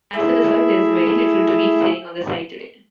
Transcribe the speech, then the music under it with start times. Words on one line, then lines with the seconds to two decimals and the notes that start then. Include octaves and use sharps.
As a result, there is very little to be seen on the site today.
0.15 A3 E4 G#4 E5